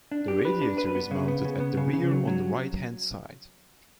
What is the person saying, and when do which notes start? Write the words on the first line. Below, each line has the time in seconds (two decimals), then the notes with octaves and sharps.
The radiator is mounted at the rear on the right hand side.
0.12 D4
0.28 G4
0.45 B4
0.62 D4
0.78 B4
0.95 B3
1.11 C#3
1.28 B3
1.45 C#3
1.60 B3
1.77 C#3
1.93 C#3
2.11 F#3
2.28 F#3